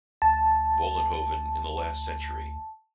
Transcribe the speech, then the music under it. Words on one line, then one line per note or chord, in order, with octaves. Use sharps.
Vollenhoven in the last century.
D2 A5